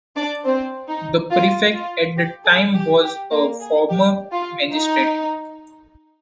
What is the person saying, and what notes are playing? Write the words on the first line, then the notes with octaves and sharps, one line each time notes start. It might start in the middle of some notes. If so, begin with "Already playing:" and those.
The Prefect at the time was a former magistrate.
D4 D5
C4 C5
D#4
F4
F4
G4
G#4
G4
G4
A#3 A#4
G#4
G4
F4
D#4